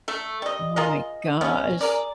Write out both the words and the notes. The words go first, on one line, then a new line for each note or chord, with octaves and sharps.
Oh my gosh.
A3 A4
G3 D#5
F4 G#4 A#4 D#5
B2 B3 C#4
G#4 A#4 D5